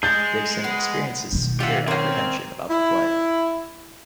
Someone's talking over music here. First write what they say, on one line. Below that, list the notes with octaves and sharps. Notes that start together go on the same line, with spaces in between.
Dixon experiences severe apprehension about the flight.
G#3 G#4 G6 A6
B3
B2 D#3
F4 G4 E5 F#5
A#3 C4 C#4
E4